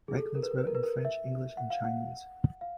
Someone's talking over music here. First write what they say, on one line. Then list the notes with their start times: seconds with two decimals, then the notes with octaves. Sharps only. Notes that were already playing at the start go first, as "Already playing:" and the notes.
Ryckmans wrote in French, English and Chinese.
0.08 G#4
0.17 A4
0.35 A#4
0.43 B4
0.51 A#4
0.58 B4
0.67 A#4
0.75 B4
0.83 A#4
1.05 E5
1.57 F#5
1.70 F5
1.85 F#5
2.61 F5